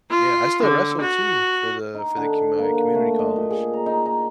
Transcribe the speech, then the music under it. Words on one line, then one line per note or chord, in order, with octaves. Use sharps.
yeah, I still wrestle, too, for the for the commu my community college.
F4
D3
F#4
D#4
D3
A#3
F#5
A3
D#5
A#2
G#4
A#5
D#4
D#4